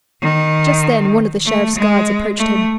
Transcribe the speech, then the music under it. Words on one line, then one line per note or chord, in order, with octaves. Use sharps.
Just then one of the Sheriff's guards approached him.
D#3
A3
G#3
A3